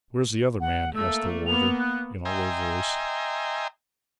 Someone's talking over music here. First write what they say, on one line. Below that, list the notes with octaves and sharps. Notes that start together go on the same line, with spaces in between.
"Where's the other man?" asked the warder, in a low voice.
F#5
A3 A#3 E6
A#3 B3 F7
F#6
D#5 E5 G5 G#5 A#5 C6